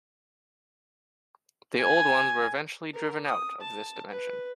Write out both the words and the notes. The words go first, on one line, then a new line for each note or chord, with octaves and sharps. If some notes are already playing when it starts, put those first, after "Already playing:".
The Old Ones were eventually driven out of this dimension.
G#5
A#4
D#6
A5
B4